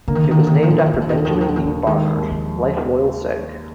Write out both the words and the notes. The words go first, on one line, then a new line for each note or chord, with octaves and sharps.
It was named after Benjamin E. Barnard, life loyal Sig.
D3 A#3
D#3
D3
D#3
D3 A#3
D#3
D3
D#3
A#2 D3
D#3
D3
D#3
D#2 D3
D#3
D3
D#2 D#3
D3
D#3
D3
D#3 A#3
D3
D#3 G#3
D#2
F3